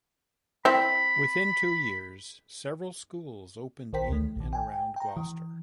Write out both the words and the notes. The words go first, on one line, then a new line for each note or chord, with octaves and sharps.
Within two years, several schools opened in and around Gloucester.
C4 E4 B5
A#1 D#3 A#4 C5 G5 B6
D2 A3
A#1 D#3
G5 G#5
G5 A#5
E3